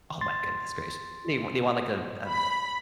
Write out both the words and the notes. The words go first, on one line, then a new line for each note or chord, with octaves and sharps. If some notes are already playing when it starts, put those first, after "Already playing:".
Oh my goodness gracious. They they want, like, a a b
C6 A6
B5